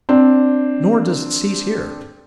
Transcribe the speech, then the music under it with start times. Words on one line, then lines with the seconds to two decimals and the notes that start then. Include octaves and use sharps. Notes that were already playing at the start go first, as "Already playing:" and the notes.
Nor does it cease here.
0.09 C4 D4